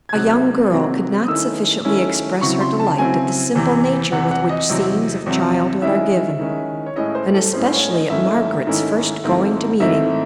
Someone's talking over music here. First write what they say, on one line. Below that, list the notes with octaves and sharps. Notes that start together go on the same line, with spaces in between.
A young girl could not sufficiently express her delight at the simple nature with which scenes of childhood are given, and especially at Margaret's first going to meeting.
G#6
C3 F#3 C4 D#4 F#6
C3 F#3 C4 D#4
D#6
D#3 A3 C#4 E4 E6
D#3 A3 C#4 E4
C#3 F#3 C4 E4 C#6
C6
A5
C#3 F#3 C4 E4 G#5
E2 C3 E3
E2 C3 E3 F#5
F#5
D#5
E2 C3 F#3 C4 E4
E2 C3 F#3 C4 E4
D#3 G#3 C#4 E4 E5
D#3 G#3 C#4 E4
C#5
A2 G#3 C#4 E4 D#5
C5
A4
A2 G#3 C#4 E4 C5
C5
C#5
D#5
G#2 D#3 A3 C#4 E4 E5
G#2 D#3 A3 C#4 E4
G#2 D#3 A3 C4 E4
G#2 D#3 A3 C4 E4 E5